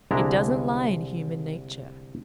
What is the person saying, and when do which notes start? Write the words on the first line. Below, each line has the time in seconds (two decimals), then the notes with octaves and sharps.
It doesn't lie in human nature.
0.11 C2 D3 G#3 D4 E4 A#5